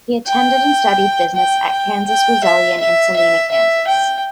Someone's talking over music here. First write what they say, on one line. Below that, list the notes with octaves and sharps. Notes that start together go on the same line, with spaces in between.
He attended and studied business at Kansas Wesleyan in Salina, Kansas.
G5
G5
G5
G5
E5
E5
E5
E5
G5